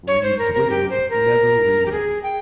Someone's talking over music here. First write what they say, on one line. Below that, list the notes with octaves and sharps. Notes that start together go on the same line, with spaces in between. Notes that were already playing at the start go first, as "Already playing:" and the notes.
Reid's widow never remarried.
C#5
C5
A#4
A#4
G4
C5
A#4
G4
G#4
G5